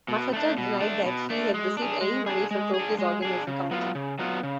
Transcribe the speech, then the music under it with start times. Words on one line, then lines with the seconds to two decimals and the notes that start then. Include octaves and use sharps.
Massata denied that he had received any money from Tokyo's organizing committee.
0.08 B2
0.33 A3 D4
0.58 B2
0.81 A3 D4
1.06 B2
1.30 A3 D4
1.54 G#3
1.77 D4 G#4
2.02 G#3
2.26 D4 G#4
2.51 G#3
2.74 G#4
2.79 D4
2.99 G#3
3.22 D4 G#4
3.47 C#3
3.71 F#3 B3 F4
3.95 C#3
4.19 F#3 B3 F4
4.43 C#3